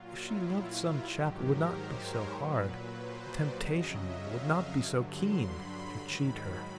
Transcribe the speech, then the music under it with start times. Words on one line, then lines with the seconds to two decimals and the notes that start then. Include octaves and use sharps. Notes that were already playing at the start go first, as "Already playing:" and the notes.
If she loved some chap it would not be so hard, the temptation would not be so keen--to cheat her.
Already playing: A#2 F#3 F4
0.14 E4
0.45 F4
0.76 F4
1.07 G#2 D#3 F#3 G4
1.38 A#4
1.68 C5
1.99 C#5
2.30 A#2 F#3 B4
2.61 B4
2.92 C5
3.23 D5
3.54 F2 C#3 F#3 D#5
3.85 E5
4.16 F5
4.77 G2 D3 F#3
5.08 C6
5.39 B5
5.70 B5
6.00 G#2 D#3 F#3 B5
6.32 B5